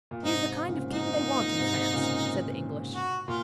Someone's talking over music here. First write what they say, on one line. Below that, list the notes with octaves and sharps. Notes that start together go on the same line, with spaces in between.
"He is the kind of king they want in France," said the English.
A#2
G#2 C3 D#4
A#2 C#3
G#2 C3 D#4
A#2
A#2
G#2 C3
A#2 C#3
F#4
A#2 F4